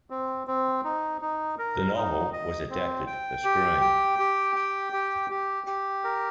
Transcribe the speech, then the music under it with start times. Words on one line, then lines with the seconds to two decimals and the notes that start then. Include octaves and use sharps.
The novel was adapted for screen.
0.10 C4
0.47 C4
0.85 D#4
1.21 D#4
1.58 A#4
1.96 D#4
2.33 D#5
2.70 C4
3.07 G5
3.44 G4
3.81 G5
4.19 G4
4.56 G5
4.93 G4
5.30 G4
5.67 G4
6.04 A#4